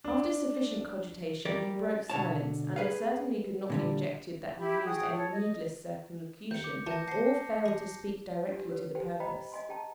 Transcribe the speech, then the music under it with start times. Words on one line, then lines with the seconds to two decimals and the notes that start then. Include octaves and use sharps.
After sufficient cogitation he broke silence, and it certainly could not be objected that he used any needless circumlocution, or failed to speak directly to the purpose.
0.04 D4
1.45 G3 A#4 D5
2.10 B2 D3 C#5 A5
2.76 G#4 B4 F5
3.70 A#2 D3 G3
4.59 E4 G4 B5
4.85 F#4 G#4 G5 D#6
5.11 A4 C#5
5.32 D#5
6.51 D#2 G6 C#7
6.64 D6
6.86 D#3 E3 D#4 A5 G6 A#6
7.08 C5 F#5 A5 C7 C#7
7.66 G#4 D#5
8.48 D4 G4
8.67 G4 B4 C#5
8.95 G4 C5 G5 G#5
9.20 C5 D#5 F5 G5 A#5 B5
9.52 D#5 G#5 C6
9.69 G#4 G5 A5 A#5